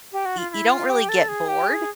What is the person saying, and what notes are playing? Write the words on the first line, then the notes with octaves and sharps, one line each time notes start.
Y You don't really get bored
G4
F#4
F4
F4
E4
F4
G4
A4
G#4
G4
G#4